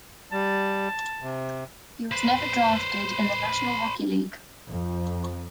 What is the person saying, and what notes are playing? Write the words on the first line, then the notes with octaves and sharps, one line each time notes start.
He was never drafted in the National Hockey League.
G3 A5
C3
B4 C5
F2